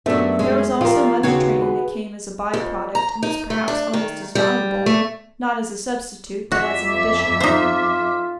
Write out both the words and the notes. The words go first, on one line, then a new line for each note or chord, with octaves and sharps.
There was also much training that came as a by-product and was perhaps almost as valuable--not as a substitute but as an addition.
F#2 F#3 A3 B3 D4 E5
G#3
F2 F3 F4 A#4 G5
D#2 C#3 B3 C4 F#4 C#5
G#4 B4
F2
A#5
D#4
A3
D4
D#3
G3
A3
F2 F#4 E5 D6
D#4 F4 C5